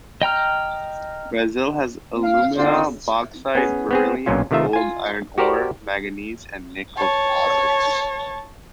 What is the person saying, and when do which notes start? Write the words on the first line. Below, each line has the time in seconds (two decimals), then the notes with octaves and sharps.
Brazil has alumina, bauxite, beryllium, gold, iron ore, manganese, and nickel deposits.
0.22 D#5 G5 A#5 F6
2.24 F5
2.57 D3 C4 F4 C5 D5
3.55 B3 C#4 G#4
3.91 B3 C4 G#4
4.26 B1 A#2 F#3 C#4 F4
4.51 C3 D#3 A3 F4 E5
4.73 F4 G#5
5.38 F#4 G4 A#4 C5 D5
6.97 C#5 A5